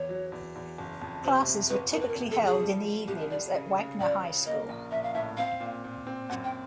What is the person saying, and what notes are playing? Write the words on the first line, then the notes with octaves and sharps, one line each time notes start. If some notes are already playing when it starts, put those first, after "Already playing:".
Classes were typically held in the evenings at Wagner High School.
Already playing: E2 C#5
F#3
E2
E2
F#1
F2
C3 C5
F2
G1 B4
F2 A#4
B4
A#4
C3
A4
F3
G#4
G3
G3
C2 G4
A#4
G3 D5
C#3
C#3
C#2 D5
C#3
A#3 D#5
A#1
A#1 E5
F5
A2 E5
C4 F5
A#2
A#2
C4
F#2 F#5
G5